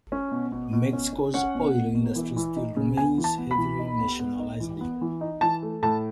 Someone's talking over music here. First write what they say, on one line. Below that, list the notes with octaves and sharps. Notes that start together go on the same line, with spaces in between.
Mexico's oil industry still remains heavily nationalized.
C#4
B2
B2
B2
C#4
C#4
C#4 F#5
B2
B2
B2
E3
E3
D#4
C#3
B3 G#5
E3
A5
B3
B5
E3
D#4
B3
B3
D#4
E3
B3
E3
D#4
E3 A5
A3
A2 A5